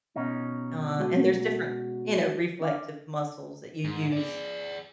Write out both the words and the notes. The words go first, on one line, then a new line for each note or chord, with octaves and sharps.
Uh, and there's different, you know, reflective muscles that you use
B2 C#4 D#4
G#3 F#4
D4 F5
G#2
G#4 D5